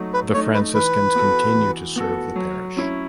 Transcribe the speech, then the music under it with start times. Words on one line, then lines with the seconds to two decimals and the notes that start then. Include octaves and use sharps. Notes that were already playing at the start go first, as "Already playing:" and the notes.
The Franciscans continue to serve the parish.
Already playing: F#3 A3 D#4
0.14 B4
0.34 A3 D#4 C#5
0.54 B4
0.74 E3 B4
1.15 B3 F#4 A4
1.55 E3
1.96 B3 F#4 A4
2.36 F#3
2.77 C#4 E4